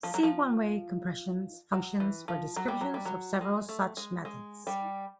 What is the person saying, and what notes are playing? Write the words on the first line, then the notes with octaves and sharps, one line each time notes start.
See one-way compression function for descriptions of several such methods.
F3
F#3
F3
F#3
E3
F3
F#3
G3
F#3
G3
F#3
G#3
A3
G#3
G#3
G3